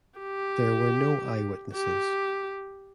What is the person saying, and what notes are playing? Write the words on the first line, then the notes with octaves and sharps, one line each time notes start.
There were no eyewitnesses.
G4
G4